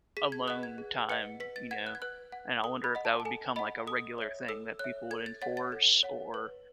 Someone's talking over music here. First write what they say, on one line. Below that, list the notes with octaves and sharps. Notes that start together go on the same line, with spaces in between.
alone time, you know? And I wonder if that would become, like, a regular thing that people would enforce or,
G#4 B6
G#6
B4 D#5 F#5 F#6
G#6
G#4
B4 D#5 F#5 C#7
B4 B6
A6
F#5 G#6
F#6
G#6
B4 F#6
F#5
A4 D#6
B5
D#5 F#5
A5
A5
A4 G#5
D#5 F#5 B5
A4 D#6
C#5 E5
A4 E6
C#5 E5 F#6
A4 G#6
A6
C#5 F#5 A6
A6
A4
C#5 F#5
B4